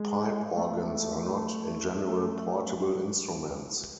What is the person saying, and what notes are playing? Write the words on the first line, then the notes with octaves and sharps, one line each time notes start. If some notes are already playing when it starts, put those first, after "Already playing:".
Pipe organs are not, in general, portable instruments.
Already playing: G#3
A3
A3